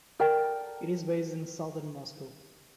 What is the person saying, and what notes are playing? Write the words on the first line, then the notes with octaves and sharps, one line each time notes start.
It is based in Southern Moscow.
A4 A#4 D5 G5